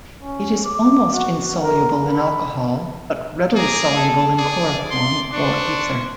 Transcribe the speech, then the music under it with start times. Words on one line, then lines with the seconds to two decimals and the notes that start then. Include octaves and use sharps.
It is almost insoluble in alcohol but readily soluble in chloroform or ether.
0.23 C#4
0.64 D6
1.13 F#4
1.62 A#4
2.09 B5
3.56 G#4 A#5 D6
3.95 A4
4.38 G#4 D5
4.91 C6
5.33 D4 C5 C#6